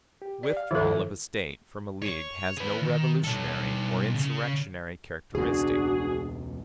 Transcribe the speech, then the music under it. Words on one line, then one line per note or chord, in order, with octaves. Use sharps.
The withdrawal of a State from a league has no revolutionary or insurrectionary characteristic.
G4
D5
F5
G2 D#3 F3 E4 A4
C#5
G#4 B4
D#3
B2 A4
C#3
E1 C#2 B2 D4 F#4 G#4